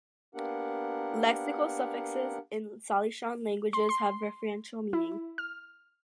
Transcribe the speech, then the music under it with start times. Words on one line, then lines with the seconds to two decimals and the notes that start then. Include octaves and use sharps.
Lexical suffixes in Salishan languages have referential meaning.
0.35 A#3 B3 D4 G4 A#4 F#5
3.73 C6
3.89 C6
4.93 E4
5.38 F6